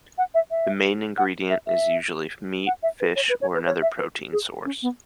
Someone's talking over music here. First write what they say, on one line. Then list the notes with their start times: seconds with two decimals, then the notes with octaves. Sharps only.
The main ingredient is usually meat, fish or another protein source.
0.18 F#5
0.34 E5
0.51 E5
1.18 F#5
1.50 E5
1.67 E5
2.67 F#5
2.83 E5
3.00 B4
3.16 C#5
3.29 B4
3.41 C#5
3.54 B4
3.66 C#5
3.82 E5
3.99 B4
4.32 G#4
4.65 C#4
4.82 B3